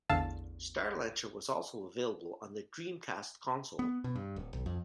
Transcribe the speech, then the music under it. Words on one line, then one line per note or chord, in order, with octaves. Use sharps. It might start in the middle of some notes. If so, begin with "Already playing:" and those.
"Starlancer" was also available on the Dreamcast console.
A1 E2 D3 F5 A5 E6
B3
B2
G2
D1
B1
F2